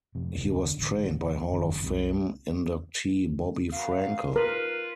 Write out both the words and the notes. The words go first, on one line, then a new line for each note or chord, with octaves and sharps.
He was trained by Hall of Fame inductee Bobby Frankel.
F2 C3
E1 D#2 C#3
D3
A1 D3
G1 F#2 A#2 D#3
C2 C3
F#2 A#3 F5
F4 A#4 B4